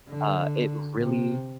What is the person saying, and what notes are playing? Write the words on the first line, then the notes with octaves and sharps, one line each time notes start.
Uh, it really
D3
C3